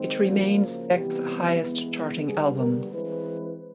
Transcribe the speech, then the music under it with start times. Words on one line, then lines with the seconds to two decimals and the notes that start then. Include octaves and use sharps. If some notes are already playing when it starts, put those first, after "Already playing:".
It remains Beck's highest-charting album.
Already playing: D#3 G#3 C4
0.26 C#3 F3 A#3 F#4
0.92 C3 E3 G3 B3 G4
1.58 E3 G#3 B3
2.25 D3 G3 B3 G#4
2.58 A#4
2.91 E3 G#3 C4 B4